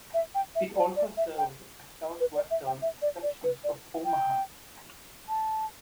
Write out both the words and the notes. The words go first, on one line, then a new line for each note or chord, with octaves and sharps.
It also serves southwestern sections of Omaha.
E5
G5
E5
D5
D5
E5
G5
B4
D5
E5
G5
E5
D5
D5
B4
D5
G5
A5